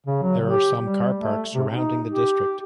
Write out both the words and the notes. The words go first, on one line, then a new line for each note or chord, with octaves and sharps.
There are some car parks surrounding the district.
C#3
F#3
G4
G3
A3
C3
D#4
G4